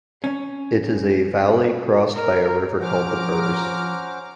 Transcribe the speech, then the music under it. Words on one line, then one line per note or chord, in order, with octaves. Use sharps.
It is a valley crossed by a river called the Birs.
C#4
A#4
F3 C#4 C5 F#5 A#5 D6 F6